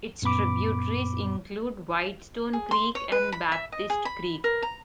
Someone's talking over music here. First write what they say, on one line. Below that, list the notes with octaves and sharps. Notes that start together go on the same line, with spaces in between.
Its tributaries include White Stone Creek and Baptist Creek.
F#2 A#2 B3 B5 D6
G#4
C6
C#5
B4
B5
E5
D#5
G#4
B5
A#4
A#5